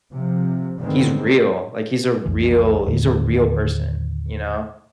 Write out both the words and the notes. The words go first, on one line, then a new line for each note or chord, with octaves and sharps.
he's real, like, he's a real he's a real person, you know?
C3 F3
G2 D3 D#3 G#3 B3 C4
B1 F2 E3
D#2 A2 D3 D#3